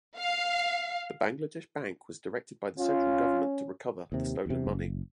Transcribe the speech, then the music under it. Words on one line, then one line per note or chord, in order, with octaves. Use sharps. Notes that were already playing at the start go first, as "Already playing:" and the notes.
The Bangladesh Bank was directed by the central government to recover the stolen money.
F5
C#4 F4
D#2 C3
E2 C3
F#1